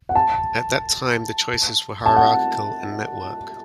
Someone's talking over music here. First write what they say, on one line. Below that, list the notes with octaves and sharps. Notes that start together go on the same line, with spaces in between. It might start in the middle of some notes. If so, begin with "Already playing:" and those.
At that time the choices were hierarchical and network.
F#5
A5
A5
F#5